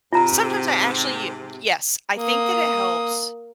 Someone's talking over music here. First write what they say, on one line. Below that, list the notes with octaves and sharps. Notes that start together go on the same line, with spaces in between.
Sometimes I actually you yes. I think that it helps
G#2 C3 F4 A#5
A#3 D#6